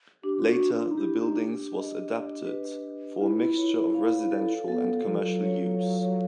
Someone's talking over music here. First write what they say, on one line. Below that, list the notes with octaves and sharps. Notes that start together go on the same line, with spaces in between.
Later the buildings was adapted for a mixture of residential and commercial use.
D4 G4
F4
F#4
D4
F4
D#4
E4 G4
D#4
D4
D#5
D4
B4
B4
E4 F4
C#5
F5
A4
B3 A4
F#3 F4
F3
F#3
C#5
F5